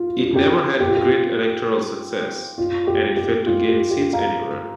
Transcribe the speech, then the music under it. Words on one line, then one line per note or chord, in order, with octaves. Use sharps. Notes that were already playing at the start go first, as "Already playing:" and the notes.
It never had great electoral success, and it failed to gain seats anywhere.
Already playing: F4
F4
G4
G4
F4
G4
F4
G4
G4
F4
G4
G4
F5 A#5